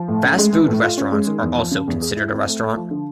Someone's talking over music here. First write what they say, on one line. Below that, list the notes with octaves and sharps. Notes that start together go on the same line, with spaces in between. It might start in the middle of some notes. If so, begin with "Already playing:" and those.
Fast food restaurants are also considered a restaurant.
Already playing: F3
A2
C#4
G#3
E3
A2
F4
C#4
G#3
D#3
E2
F3
C#3
E2
G#4
E4
C4
A3
A3
F3
D3